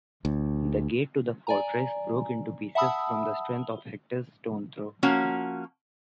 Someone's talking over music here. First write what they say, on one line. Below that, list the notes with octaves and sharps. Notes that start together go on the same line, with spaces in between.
The gate to the fortress broke into pieces from the strength of Hector’s stone throw.
D2
D5 G#5 A#5
E5 F#5 A5 B5 D#6 E6
F3 A#3 C#4 F#4